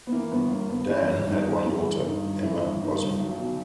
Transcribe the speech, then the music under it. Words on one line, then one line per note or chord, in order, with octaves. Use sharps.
Dan had one daughter, Emma Osman.
B3
E3 A#3
G1 B3
G2 A#3
G1 B3
E3 C#4
G1
G2 D#4
G1
E3 E4
G1
G2 D#4
G1
E3 E4
G1
G2 D#4
G1
B1
B2